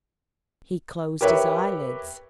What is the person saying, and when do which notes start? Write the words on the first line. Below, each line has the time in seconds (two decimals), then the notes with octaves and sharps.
He closed his eyelids.
1.21 G4 A#4 B4 C#5 E5